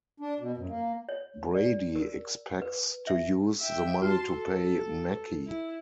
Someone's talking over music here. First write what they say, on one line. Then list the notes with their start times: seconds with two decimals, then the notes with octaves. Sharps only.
Brady expects to use the money to pay Mackey.
0.20 D4
0.40 B2
0.57 F#2
0.69 A#3
1.09 C#5
1.54 D5
1.96 A#4
2.62 B4
3.07 E5
3.60 E5 G5
4.02 F#4 A5 C6 F6
4.31 A4
5.47 E4